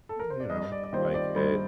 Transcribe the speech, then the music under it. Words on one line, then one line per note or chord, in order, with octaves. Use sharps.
you know, like, it, um,
A4
A#4
C5
D5
G2 D#5
D5
D5
D#3 G3 C4 F4 C5
D5
G2 C5